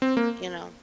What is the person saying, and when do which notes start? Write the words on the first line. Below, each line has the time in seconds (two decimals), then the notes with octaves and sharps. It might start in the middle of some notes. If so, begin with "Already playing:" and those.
You know?
0.02 C4
0.17 A#3